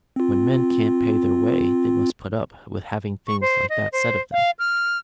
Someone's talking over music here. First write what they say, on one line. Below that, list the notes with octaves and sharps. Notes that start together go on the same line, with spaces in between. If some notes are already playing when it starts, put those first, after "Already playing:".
When men can't pay their way they must put up with having things like that said of them.
C4 F4
C#6
C5
D#5
C5
F5
F6